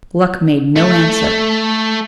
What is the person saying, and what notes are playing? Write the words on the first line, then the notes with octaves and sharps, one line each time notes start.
Gluck made no answer.
A3